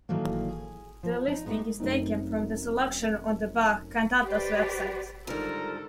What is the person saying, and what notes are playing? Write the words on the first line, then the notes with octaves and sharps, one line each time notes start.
The listing is taken from the selection on the Bach-Cantatas website.
A2 D#3 E3 F#3 A3 A#3
G#4
F3
D#4
G#3 B3 D#4 F#4 G4
F#2 A3 C4 D#4
G4 B4 C5 D5
G#2 D3 D#3 F3 G3 A4 A#4